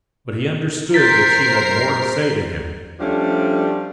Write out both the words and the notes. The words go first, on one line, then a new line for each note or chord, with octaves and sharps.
But he understood that she had more to say to him.
A#4 C5 G6 A6 B6 C7
F3 G3 A3 C#4 D4